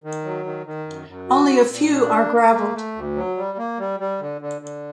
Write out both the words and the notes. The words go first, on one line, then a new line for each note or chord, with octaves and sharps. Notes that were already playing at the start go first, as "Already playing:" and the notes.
Only a few are graveled.
D#3
F#3
D#3
D#3
F#2
F#2
F#4
C4
A#2
D4
A#3
A#3
A3
A3
D2
F#3
G3
A#3
G3
G3
D3
D3
D3